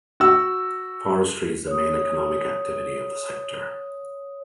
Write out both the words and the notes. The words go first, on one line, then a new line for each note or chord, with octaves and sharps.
Forestry is the main economic activity of the sector.
F#4 E6
C#5 D#6